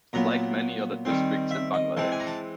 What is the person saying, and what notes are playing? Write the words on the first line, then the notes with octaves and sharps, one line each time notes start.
Like many other districts in Bangladesh.
A#2 F#3 B3 A#5
D#3 G3 C4
E5
D#5
E3 G#3 C4 A5
G#5
A#5
A5